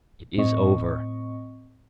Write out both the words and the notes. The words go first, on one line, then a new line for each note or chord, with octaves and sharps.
It is over.
A2 C4 D#5 C#6